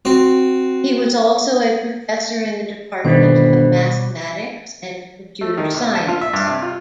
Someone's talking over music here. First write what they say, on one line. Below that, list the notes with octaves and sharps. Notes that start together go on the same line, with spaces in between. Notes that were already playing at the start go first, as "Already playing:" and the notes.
He was also a professor in the department of mathematics and computer science.
C4 F#4
G1 B2 D#3 G3 C5
A3
D#3
C3
A5
F4
E5
G2
C3
F4